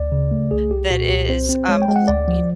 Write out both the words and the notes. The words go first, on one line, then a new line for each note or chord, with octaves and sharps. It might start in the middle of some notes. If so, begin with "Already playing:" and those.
that is, um, a lo y kn
Already playing: D2 D5
C#3
A3
C2 G#4
C2 G4
A#2 F#4
C2 G4
C4 C5
C4
G#3 C#5
G5
G#3
F#5
D2 D5
F3